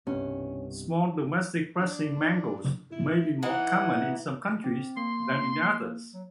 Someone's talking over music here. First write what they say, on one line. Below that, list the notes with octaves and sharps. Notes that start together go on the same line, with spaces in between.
Small domestic pressing mangles may be more common in some countries than in others.
C2 G2 B2 C#4
D4
E4
E3 D#4 F#5
C4
A#3 C6
F#3